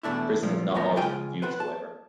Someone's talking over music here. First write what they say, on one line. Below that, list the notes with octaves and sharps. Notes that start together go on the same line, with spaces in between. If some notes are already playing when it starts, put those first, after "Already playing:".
Prison had not altered her views, however.
E2 B2 A3 D4 E4
A#2 D3 F3 G3
E2 A#2 F3 B3 A#5
C#2 C#3 G#3 F4 G5 G#5
B4 C5 F#5
A5